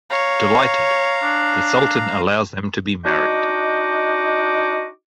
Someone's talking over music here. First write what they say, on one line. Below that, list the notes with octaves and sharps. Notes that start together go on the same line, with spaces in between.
Delighted, The Sultan allows them to be married.
C#5 F5 A#5
D4
D4 D#4 F#4 D#5 G5 D6